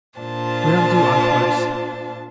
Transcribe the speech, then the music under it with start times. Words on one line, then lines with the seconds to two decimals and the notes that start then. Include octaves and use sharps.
We don't do encores.
0.19 A#2 D4 F4 C5 A5